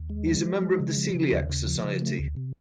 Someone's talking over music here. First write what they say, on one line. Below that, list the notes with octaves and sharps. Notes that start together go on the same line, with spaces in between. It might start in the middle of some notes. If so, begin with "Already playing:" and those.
He is a member of the Coeliac Society.
Already playing: D#2
G#3
F3
F3
G#3
C#3
F3
C#3
D#2
C#3
F3
C#3
A3
D2
C3